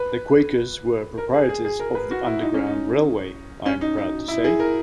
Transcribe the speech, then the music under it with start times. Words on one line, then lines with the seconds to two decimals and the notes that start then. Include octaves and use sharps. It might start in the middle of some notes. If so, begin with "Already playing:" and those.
The Quakers were proprietors of the Underground Railway, I'm proud to say.
Already playing: B4
1.18 A#4
1.34 G#4
1.49 G#4
1.65 G#4
1.80 A#4
1.95 B4
2.11 F#4
2.26 E4
2.42 D#4
2.54 C#4
2.67 D#4
3.66 C#4
3.81 D#4
3.98 D#4
4.28 E4
4.44 G#4
4.60 A#4